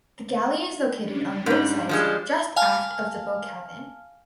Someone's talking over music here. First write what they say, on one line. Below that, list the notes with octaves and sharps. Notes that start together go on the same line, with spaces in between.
The galley is located on both sides just aft of the bow cabin.
C#4 D4
G#2 G3
F3 G3 G#3
F5 G#5 A5 F6